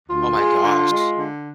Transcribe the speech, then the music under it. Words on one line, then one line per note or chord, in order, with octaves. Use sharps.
Oh my gosh.
D2 F4
G#3
D3
G#3
D3